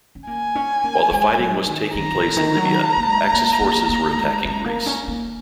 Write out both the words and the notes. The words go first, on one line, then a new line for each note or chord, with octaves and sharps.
While the fighting was taking place in Libya, Axis forces were attacking Greece.
C#4
A#3 G#5
C#4
A#3
G#3
F#3
D#3
D#3 A#5
A#2
D#3
F#3
A#3
G#3
A#3
A#3
A#3
A#3
G#3
G#3
A#3
C#4
A#3